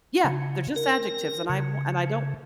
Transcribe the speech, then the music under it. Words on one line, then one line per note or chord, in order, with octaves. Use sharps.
Yeah. They're just adjectives, and I wa and I don't
C#3
A#4
C#3